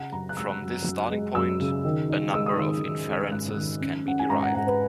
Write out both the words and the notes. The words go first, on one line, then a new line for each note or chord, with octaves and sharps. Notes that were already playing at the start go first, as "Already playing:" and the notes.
From this starting point, a number of inferences can be derived.
Already playing: C#3 F#5
F#2 A#5
F#6
G#3 E6
F#2
F#2
G#3
F#2 E6
C#3
D#3
D#4
G#3 E6
D#6
D#3 E6
D#3
G#3
E6
G#2 F#6
D#3
C#4
C#4 F#5
G#5
G#2 A#5
F#5
G#2 F#5
B4